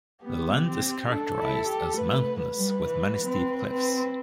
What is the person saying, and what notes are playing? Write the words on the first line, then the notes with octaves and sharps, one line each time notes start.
The land is characterized as mountainous with many steep cliffs.
B3 G4
C4
D4 A4
E4
G4
A3 B4
B4
G3
E3
C4
C4 B4